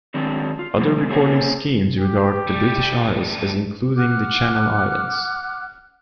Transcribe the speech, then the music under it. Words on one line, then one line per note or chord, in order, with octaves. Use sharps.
Other recording schemes regard the "British Isles" as including the Channel Islands.
D3 D#3 F#3 G#3 C4 D4
F4
F3 G3 A#3 E4
B2 G#3 C4
A#3 C4 G#4 C#5
G4
G3 A3
F#5 D6 F6 F#6